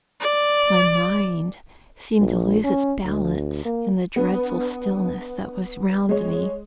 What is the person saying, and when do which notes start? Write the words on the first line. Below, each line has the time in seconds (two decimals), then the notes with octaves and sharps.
My mind seemed to lose its balance in the dreadful stillness that was round me.
0.21 D5
2.20 A#1
2.64 C#4
3.05 D2
3.65 A#3
4.16 B3 D4
6.09 G#3 C#5